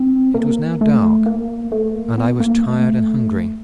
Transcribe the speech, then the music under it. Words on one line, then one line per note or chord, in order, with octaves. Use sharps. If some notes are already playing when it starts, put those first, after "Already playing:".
It was now dark, and I was tired and hungry.
Already playing: C4
A#3
A3
A#3
A3
A#3
B3
A#3
A3